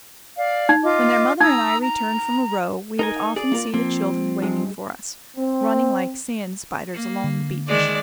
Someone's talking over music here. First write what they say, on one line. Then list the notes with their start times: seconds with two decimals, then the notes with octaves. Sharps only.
When their mother and I returned from a row, we would often see the children waiting for us, running like sand-spiders along the beach.
0.37 D5 F5
0.69 D#4
0.84 F4 D#5 D6
1.41 D#4 A#5 D#6 E6
1.82 A#5
2.99 D#4 A#4 G#5 A#5
3.36 G#4 D5
3.52 A#3 F4 A#4
3.74 F3 A#3 C4
4.42 G2 G#3
5.36 C4
6.93 A#3
7.24 D3
7.68 D#3 G#3 D5